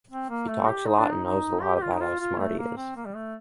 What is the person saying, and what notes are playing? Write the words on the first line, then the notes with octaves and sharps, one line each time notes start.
He talks a lot and knows a lot about how smart he is.
C4
A#3
A3
G4
D#4
D4
D#4
D#4
G4
G4
F4
D#4
F4
F4
A3
A#3
C4
A#3
G3
A3